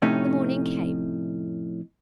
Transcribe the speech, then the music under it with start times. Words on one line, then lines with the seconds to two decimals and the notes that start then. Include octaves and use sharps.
The morning came.
0.02 F2 A2 C3 A3 C#4 D#4